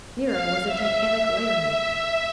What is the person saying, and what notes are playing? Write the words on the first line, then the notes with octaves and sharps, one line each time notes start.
Nero was a titanic lighterman.
F5
E5